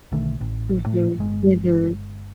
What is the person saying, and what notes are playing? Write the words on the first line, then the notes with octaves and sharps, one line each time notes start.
Mhm, mhm.
B1 D3 D#3 A3
A1
A2 A3
G1 G#3